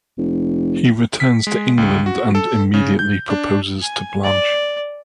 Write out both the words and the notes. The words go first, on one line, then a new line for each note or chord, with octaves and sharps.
He returns to England and immediately proposes to Blanche.
F1
B6
G#3
C#2
F#4
A4
C#3
G6
D4
G#5
D5